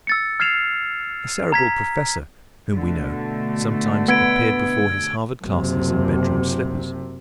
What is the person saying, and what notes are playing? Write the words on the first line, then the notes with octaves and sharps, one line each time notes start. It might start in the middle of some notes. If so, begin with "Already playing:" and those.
A Cerebral professor whom we know sometimes appeared before his Harvard classes in bedroom slippers.
E6 A6 C#7
F6 G#6 C7 E7 F7
A#5 G#6 B6
B2 D3 A3
B3 E6 G#6 D7
F#1 C3